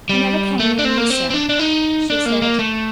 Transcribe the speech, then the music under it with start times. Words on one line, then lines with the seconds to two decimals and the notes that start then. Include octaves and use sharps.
"He never came near me, sir," she said.
0.09 G3
0.60 A3
0.79 D4
0.85 C4
0.98 A#3
1.10 C4
1.30 C4
1.34 D4
1.49 D4
1.59 D#4
2.10 D4
2.26 A#3
2.42 A#3
2.59 A3